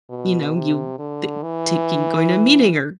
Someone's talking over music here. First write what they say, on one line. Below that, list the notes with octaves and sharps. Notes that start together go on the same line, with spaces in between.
”you know, you ta taking, going to a meeting or“
B2
C3
D3
E3